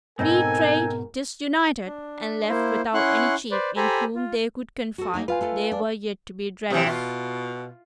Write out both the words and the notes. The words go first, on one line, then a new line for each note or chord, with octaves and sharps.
Betrayed, disunited, and left without any chief in whom they could confide, they were yet to be dreaded.
G#2 B2 C4 D#4 A4 A#4 D#5 G#5
D4
A#3 E4 C5
C#4 E4 F#5 C6 C#6 F#6
B4 C5 D5
G4 A4 C5 G#5 A#5 B5
F4
F#4 A4
A#3 D#4 G#5
F4 B4 F5 G#5
A3 F4 A4
D4
A2 C3 E3
B2 F4